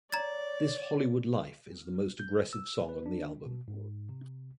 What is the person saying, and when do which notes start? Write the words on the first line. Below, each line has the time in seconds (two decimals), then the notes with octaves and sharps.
"This Hollywood Life" is the most aggressive song on the album.
0.12 C#5 D5 A#5 G#6 A6
2.19 G6
2.53 E6
2.89 B4
3.06 D4
3.46 B2
3.68 G#2
4.09 C3